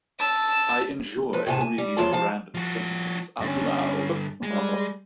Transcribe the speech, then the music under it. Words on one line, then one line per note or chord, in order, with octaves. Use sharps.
I enjoy reading random sentences out loud.
A5 E6
F3 B4
D#2 A2 C3 B3 G#5 A5
G#5
G3
E2 F3 F#3 A#3 F4 A5
F3 F5 A5
F3 F#4
G2 D3 C#4
G3 G#3